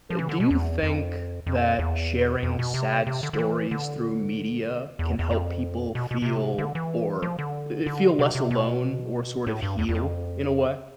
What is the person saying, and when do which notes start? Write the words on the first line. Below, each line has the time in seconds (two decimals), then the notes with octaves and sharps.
Eh, do you think that sharing sad stories through media can help people feel, or eh, feel less alone, or sort of heal, in a way?
0.10 F3
0.19 E3
0.29 D3
0.40 B2
0.51 E2
0.83 F2
1.47 F2
1.79 E2
2.43 F2
2.59 B2
2.74 C3
3.07 C3
3.23 D3
3.33 D3
3.39 E3
3.71 D3
4.99 E2
5.19 E2
5.31 F2
5.95 B2
6.11 B2
6.22 B2
6.26 C3
6.58 D3
6.75 E3
7.22 F3
7.39 D3
7.86 D3
8.19 C3
8.35 C3
8.51 B2
9.47 A2
9.63 G2
9.79 E2
9.89 E2
9.95 F2